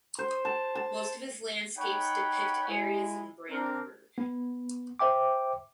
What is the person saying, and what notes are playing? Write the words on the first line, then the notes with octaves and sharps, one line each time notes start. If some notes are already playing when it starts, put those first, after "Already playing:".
Most of his landscapes depict areas in Brandenburg.
C5
A5
A5
D#4 C#5 F#5 G5 B5 C#6
G#3 E4 G#5
C4 D4 A#4
B3
C5 E5 G5 D6